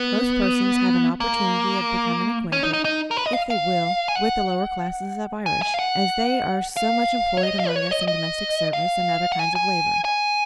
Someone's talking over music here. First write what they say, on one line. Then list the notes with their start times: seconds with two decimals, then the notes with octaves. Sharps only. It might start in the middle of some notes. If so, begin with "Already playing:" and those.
Most persons have an opportunity of becoming acquainted, if they will, with the lower classes of Irish, as they are so much employed among us in domestic service, and other kinds of labor.
Already playing: B3
1.20 A#3
2.52 C#4
2.63 D#4
2.73 D#4
2.85 D#4
3.11 A#4
3.17 B4
3.26 D#5
3.33 F5
3.50 F5
4.08 G#5
4.15 F#5
5.46 G#5
5.62 G#5
5.74 F5
5.79 F#5
6.77 F5
7.37 C#5
7.43 D#5
7.59 F5
7.68 B4
7.76 C#5
7.91 D#5
8.08 D#5
8.73 F5
9.32 F#5
9.39 G#5
9.55 G#5
10.05 G#5